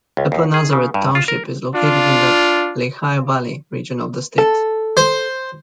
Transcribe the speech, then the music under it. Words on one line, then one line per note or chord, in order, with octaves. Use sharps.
Upper Nazareth Township is located in the Lehigh Valley region of the state.
C#2
D#2
G#4
C#3
G2
F4
A#4
D4 F4
A4
C5